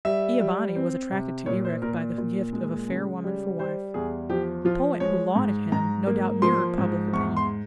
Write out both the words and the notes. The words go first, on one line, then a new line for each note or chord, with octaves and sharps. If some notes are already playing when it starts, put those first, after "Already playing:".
Ea-bani was attracted to Erech by the gift of a fair woman for wife. The poet who lauded him no doubt mirrored public opinion.
G3 E5
G3
C4
C3
A#2 C#5
C5
A#2 A#4
A#2
G#3
C#3
G3
G3 C5
E2 G#4
F3 G4
F3 F4
G#3 C#5
G#2
G#2 A#5
A#3
F3 C6
G#2
E2 C#6
C6